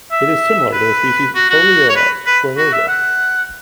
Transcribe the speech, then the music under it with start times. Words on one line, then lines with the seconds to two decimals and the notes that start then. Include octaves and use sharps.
It is similar to the species "Pholiota squarrosa".
0.12 E5
0.73 B4
1.35 F#4
1.50 F#4
1.89 C#5
1.96 B4
2.26 B4
2.57 F#4
2.73 E5
2.88 F#5